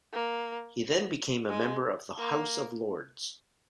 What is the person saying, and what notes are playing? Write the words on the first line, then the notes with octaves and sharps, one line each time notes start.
He then became a member of the House of Lords.
A#3
G#3
A#3